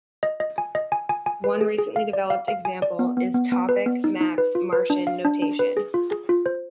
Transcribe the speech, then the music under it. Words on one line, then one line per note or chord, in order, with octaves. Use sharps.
One recently developed example is Topic Maps Martian Notation.
D#5
D#5
G#5
D#5
G#5
G#5
G#5
B4
G#4
G#4
F5
D5
F5
F5
G#5
D5
B3
B3
B3
B3
B4
B3
D#4
D#4
B4
F4
B4
D4
F5
D4
D4
B4
G#4
F4
G#4
F4
C5